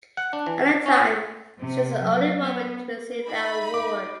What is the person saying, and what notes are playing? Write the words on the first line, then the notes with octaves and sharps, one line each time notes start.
At the time she was the only woman to receive that award.
F#5
D4
E3
C#4
C3
F#3
B3
D#4 B5
D6